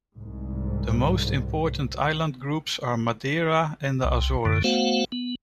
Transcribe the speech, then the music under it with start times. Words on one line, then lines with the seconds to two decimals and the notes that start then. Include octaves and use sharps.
The most important island groups are Madeira and the Azores.
0.19 C2 G#2
4.04 C2
4.45 F#2 D3
4.64 A3 B3 F#4 C5 F5 F#5
5.12 B3